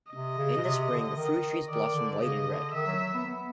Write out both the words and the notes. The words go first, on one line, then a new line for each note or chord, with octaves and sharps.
In the Spring, fruit trees blossom white and red.
C3 D#5
C#3
B2
C3
D3
D#3
D#3 D5
D3
C#3 D#5
D3
D#3 E5
F#3
F#3
B3
B3